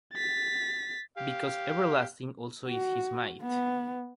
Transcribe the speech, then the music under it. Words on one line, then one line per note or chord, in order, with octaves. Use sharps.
Because everlasting also is his might.
A6 B6
G4 F5
F#4
B3